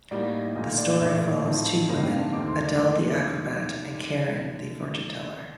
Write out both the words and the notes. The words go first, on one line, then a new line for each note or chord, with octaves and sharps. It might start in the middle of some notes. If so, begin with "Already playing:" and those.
The story follows two women, Adele the acrobat and Karin the fortuneteller.
A2 G3 A#3 D#4 D5
D#5
A#1 A#2 A3 D#4 D#5
D5
A#1 A2 A3 D5
A2 F3 C4 D#4
G2 F3 A#3 D#4 D#5
F5
G5
A5
D#2 D#3 A3 C4 D#4 D6
C6
C6
D#2 D#3 A3 D4 D6